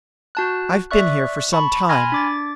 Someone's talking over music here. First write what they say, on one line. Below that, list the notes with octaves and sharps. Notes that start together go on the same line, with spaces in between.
I've been here for some time.
F#4 A5 F#6
D5 E5 C#6 F#6
A5 B5 C#6
G#5 B5 C6 F6 G#6 A#6
D4 D6 A6